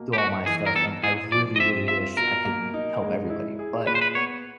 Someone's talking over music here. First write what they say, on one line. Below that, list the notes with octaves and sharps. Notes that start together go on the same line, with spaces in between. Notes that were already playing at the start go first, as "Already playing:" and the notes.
do all my stuff, and I really, really wish I could help everybody, but,
Already playing: B2 A#3
G4
D#4 F#4
E3 G#4
A#4
B3 A4
E4 G#4
F3 D5
D#5
C4 E5
F4 E5
B2 A#4
A#3
D#4
G#3
E4
G#4
A#2 B4
C5
B4
B3 C#5